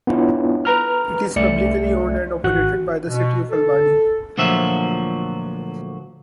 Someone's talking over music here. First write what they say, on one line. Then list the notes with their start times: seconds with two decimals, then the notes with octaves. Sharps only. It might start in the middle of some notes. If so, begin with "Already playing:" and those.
It is publicly owned and operated by the City of Albany.
0.07 B3 D4 E4 F4 C#5
0.65 B4 A#5 F6
1.36 C2 A3 D5 E5 C#7
2.44 G#1 F#4 F#6
3.07 B2
3.50 A4
4.38 D2 A#2 F3 F#3 E5